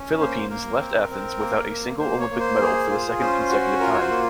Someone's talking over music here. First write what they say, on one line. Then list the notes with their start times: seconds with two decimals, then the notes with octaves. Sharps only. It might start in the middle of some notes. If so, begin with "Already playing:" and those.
Philippines left Athens without a single Olympic medal for the second consecutive time.
Already playing: C#4
0.19 A#3 C5
0.50 A#3 A#4
0.79 C4
1.10 C4
1.39 A#3
1.69 A#3
1.99 A#3 C5
2.20 C#5
2.31 A#3
2.40 C5
2.60 G#4
2.90 F4
3.20 C#4 C5
3.50 F#4
3.80 F4 A#4
3.94 C#5
4.01 C5
4.10 A#3